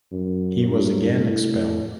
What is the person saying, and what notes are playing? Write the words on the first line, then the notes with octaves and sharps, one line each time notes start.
He was again expelled.
F#2
G2
A2